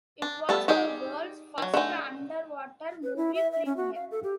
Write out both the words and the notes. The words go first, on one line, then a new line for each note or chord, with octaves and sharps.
It was the world's first underwater movie premiere.
D4
G3 A3 B3 A4
G3 D#4 G4 G#4 D#5
D#3 F#3
D3 A3 D#4 G#5
B4
E4
E5
E5
C#4
F#4
F5
A4
G4